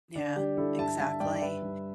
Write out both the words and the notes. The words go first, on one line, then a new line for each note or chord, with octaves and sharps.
Yeah, exactly.
D3 D4
G3 D4 G4
D3 E4 A4
G2 E5 A5
G3 E5 A5
G2 D5 G5
D5
G3 B4 E5
G3